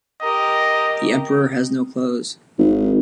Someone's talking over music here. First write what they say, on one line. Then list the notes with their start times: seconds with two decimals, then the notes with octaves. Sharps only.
The emperor has no clothes.
0.22 G4 A#4 D#5
2.58 G#1